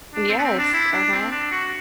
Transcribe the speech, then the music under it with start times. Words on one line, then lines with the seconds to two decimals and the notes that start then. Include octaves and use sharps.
Yes, uh-huh.
0.14 D4
0.29 C4
0.38 B3
0.44 C4
0.58 D4
0.73 E4
0.92 D4
1.12 C4
1.32 D4
1.52 F#4